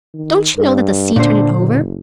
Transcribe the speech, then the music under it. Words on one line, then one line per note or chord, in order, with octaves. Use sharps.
"Don't you know that the sea turned it over?"
D#3
G2
A#2 D3 D4 C5
F#1